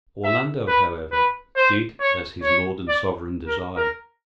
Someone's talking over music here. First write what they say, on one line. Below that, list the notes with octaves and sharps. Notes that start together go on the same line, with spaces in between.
Orlando, however, did as his lord and sovereign desired.
E5
B4
B4
C5
C#5
C#5
D5
A#4
A#4